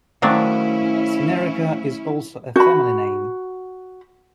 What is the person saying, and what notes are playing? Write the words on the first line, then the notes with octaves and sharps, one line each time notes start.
Senarica is also a family name.
D#3 F#3 A3 C#4 D4 E4 C5 F5
F#4 B5